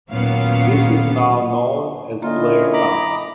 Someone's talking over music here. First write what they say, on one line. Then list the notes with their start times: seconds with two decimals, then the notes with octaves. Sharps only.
This is now known as Blair County.
0.10 D#2 A#2 F#3 B3 C#4 F5
2.22 D3 A#3 C#4 E4 F4 D#5
2.73 A#5 B5 D6